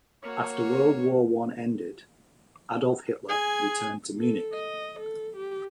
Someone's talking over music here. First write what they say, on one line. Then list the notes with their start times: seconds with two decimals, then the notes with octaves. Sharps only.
After World War One ended, Adolf Hitler returned to Munich.
0.22 A#3 F#4 C#5
3.29 G#4 G#5
4.19 A4
4.53 D#5
5.00 A4
5.36 G4